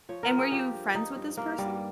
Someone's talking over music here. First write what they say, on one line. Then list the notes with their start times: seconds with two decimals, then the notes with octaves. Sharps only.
And were you friends with this person?
0.09 F3 C#5
0.23 A#4
0.30 F3
0.38 G#4
0.52 F3 G4
0.73 G2
0.95 F3 D#4
1.16 G2
1.37 G2 A#3
1.58 G2 G3